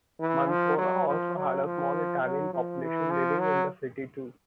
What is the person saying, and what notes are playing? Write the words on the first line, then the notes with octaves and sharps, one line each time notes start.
Mansoura also had a small Italian population living in the city too.
E3
F3
F#3
F3
F#3
F3
F#3
F3
E3
F3
F#3